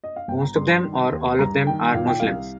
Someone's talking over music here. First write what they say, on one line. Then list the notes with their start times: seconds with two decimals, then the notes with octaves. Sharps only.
Most of them or all of them are Muslims.
0.04 D#5
0.16 F5
0.28 G1 G5
0.42 A#5
0.56 G2 C6
0.71 C6
0.84 D#3
1.12 D#2
1.39 G2 A#5
1.67 D#3 G5
1.94 A#2 F5
2.07 G5
2.20 C2 F5